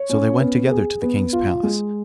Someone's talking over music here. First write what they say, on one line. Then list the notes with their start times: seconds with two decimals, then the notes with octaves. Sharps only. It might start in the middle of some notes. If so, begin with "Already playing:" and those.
So they went together to the king's palace.
Already playing: C#5
0.09 C#4
0.40 B3
0.71 G#4
1.02 B3
1.33 F4
1.63 G#3